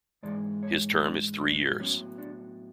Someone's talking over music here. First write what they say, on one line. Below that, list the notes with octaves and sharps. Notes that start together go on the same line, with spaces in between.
His term is three years.
G#2 E3 G#3 D5
C#5
D4
D4
A2 F#3 B3 C#4
D4